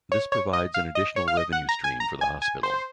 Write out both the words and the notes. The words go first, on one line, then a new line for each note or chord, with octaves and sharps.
This provides an additional revenue stream for the hospital.
C#5
C#5
D#5
F5
D#5
C#5
F5
D#5
F#5
A#5
G#5
A#5
G#5
G#5
C5